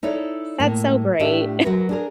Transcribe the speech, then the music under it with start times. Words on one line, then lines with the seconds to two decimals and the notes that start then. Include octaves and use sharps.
that's so great.
0.03 D#4 E4 A4 C#5 D5
0.60 A2 A#3
1.20 A2 A3 D4 F4 G4 E5
1.64 F#3 F#4 A#4 B4
1.89 D4 G#4 A#4